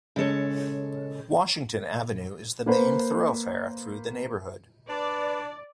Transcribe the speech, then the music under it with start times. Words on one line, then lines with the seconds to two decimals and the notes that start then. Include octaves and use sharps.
Washington Avenue is the main thoroughfare through the neighborhood.
0.16 C#3 G#3 A4 C#5
2.66 A#3 B4 C5
4.89 D4 B4 D5